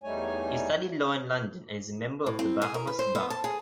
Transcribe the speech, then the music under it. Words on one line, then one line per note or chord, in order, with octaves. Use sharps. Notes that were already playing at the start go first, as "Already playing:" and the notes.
He studied law in London and is a member of the Bahamas Bar.
E2 G3 A3 D#4 C#5 G#5
A2
C4
G#4
A#4
B4
C5
B3
A5
G#4